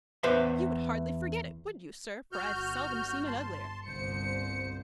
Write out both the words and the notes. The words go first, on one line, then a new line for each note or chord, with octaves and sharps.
You would hardly forget it, would you, sir, for I've seldom seen an uglier.
E2 B4 C5 E5 C6
G1 F#4 F6 G6
A5 C6
G1 C2 C5 C#7